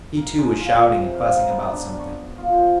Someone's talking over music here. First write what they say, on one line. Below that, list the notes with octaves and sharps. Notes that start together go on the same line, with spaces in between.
He, too, was shouting and fussing about something.
A#4
G#3
F4
E3
C3
F5
D#4
B3
D4
C#6
F4
C5